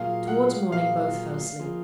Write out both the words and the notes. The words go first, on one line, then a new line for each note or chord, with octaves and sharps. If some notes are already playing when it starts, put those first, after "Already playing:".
Towards morning both fell asleep.
Already playing: A#2 F#3 A#3 F4 G#4 F5
F#5
A#2 F#3 A#3 F4 G#4 F5
F3 A#3 F4 G#4